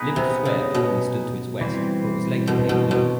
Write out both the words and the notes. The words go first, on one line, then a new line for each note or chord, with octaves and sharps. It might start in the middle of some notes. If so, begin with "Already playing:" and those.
Liberty Square formerly stood to its west but was later paved over.
Already playing: B3 D#4 G#4 B4
C3
C#3
B2
E3 G3 C4
B2
B2
B2